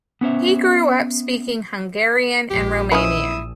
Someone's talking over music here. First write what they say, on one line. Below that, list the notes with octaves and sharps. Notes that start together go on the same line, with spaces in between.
He grew up speaking Hungarian and Romanian.
B3 C#4 C5 E5
A#1 G4
D#3 C#4 E4 B4 D#6 E6